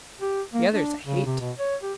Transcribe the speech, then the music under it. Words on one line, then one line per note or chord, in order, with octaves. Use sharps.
The others I hate.
G4
A#3
D4
C#3
C3
B2
C#5
G4